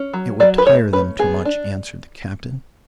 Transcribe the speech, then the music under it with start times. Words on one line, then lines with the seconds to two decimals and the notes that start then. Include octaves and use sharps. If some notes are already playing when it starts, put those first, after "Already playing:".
"It would tire them too much," answered the Captain.
Already playing: C#4
0.14 F#3
0.40 F#3 D5
0.58 B4
0.66 A3 C#5
0.93 C#4 B4
1.19 B3 G#4
1.45 D4